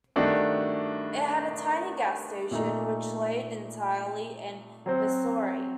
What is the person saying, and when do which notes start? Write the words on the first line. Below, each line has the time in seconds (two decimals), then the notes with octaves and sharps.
It had a tiny gas station, which laid entirely in Missouri.
0.16 G2 D#3 A3 D4 F#4
2.51 A#2 A3 D#4
4.86 F#3 C4 F#4 C5